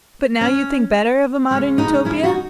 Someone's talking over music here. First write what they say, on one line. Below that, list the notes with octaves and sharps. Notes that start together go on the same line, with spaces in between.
But now you think better of a modern Utopia?
C#4
D#2 C#3 G#3 C#4
B3 D#4
C#4 E4
D#4 F#4